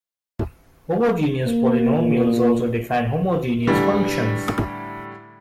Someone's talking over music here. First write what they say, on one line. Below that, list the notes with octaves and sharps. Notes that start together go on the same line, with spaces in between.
Homogeneous polynomials also define homogeneous functions.
A#3
A#2
A2 D3 E3 G3